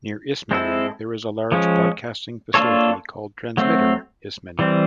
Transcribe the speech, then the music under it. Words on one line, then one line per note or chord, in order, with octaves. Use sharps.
Near Ismaning there is a large broadcasting facility called Transmitter Ismaning.
G#3 C4 E4 A4
F3 G#3 C#4
A#3 D4 F4 A4 C#5
F#3 A3 C4
E3 G3 C4